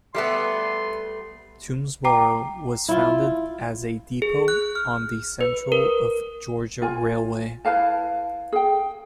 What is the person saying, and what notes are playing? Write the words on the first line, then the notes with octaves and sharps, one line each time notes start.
Toomsboro was founded as a depot on the Central of Georgia Railway.
G3 A3 B3 C6
G5 A#5 D6
E4 F4
G#4
F#6
F6
B4
A#4
F4 G#5
E4 B4 F5 A5
G#4 G5